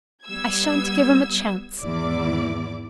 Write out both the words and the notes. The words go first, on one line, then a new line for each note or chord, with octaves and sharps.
I shan't give him a chance.
G3 B3 E6 G#6
G#1 E2 E4 D5 D6